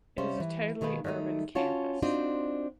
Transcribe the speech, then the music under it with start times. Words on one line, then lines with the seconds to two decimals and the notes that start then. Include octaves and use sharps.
It is a totally urban campus.
0.18 C3 G3 C#4 C5 F5
0.40 E3
0.81 B2 D#3 G#3 A#3 B4
1.04 D#3 G3 A3 D4 D#4
1.55 C#4 F4 F#4 C#5 F#5 A5
2.02 C4 D4 D#4 F4 F#4 C5